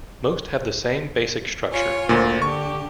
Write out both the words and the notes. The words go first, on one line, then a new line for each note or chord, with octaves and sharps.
Most have the same basic structure.
F4 C#5 G#5
D2 A#2 C5
D3 G4 C#6